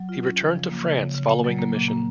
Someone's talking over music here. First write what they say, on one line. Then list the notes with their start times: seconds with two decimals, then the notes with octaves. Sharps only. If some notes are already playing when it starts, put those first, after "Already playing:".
He returned to France following the mission.
Already playing: F#3
0.09 F4
0.23 C#4
0.39 C#3
0.53 F3
0.69 A#3
0.84 C#3
0.98 C#3
1.14 C#3
1.29 A#3
1.44 F#3
1.58 A#3
1.74 A#2
1.88 A#3